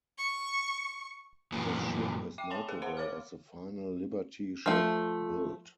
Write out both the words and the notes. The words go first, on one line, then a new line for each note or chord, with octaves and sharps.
The ship is notable as the final liberty ship built.
C#6
F#2 A#2 E3 B3
E5 G5 D6
C#5 G#5 A5 B5 C6
G#4 A#4 F5
C5 F5 F#5 B5 C6
C#5 D6 F6
F3 A3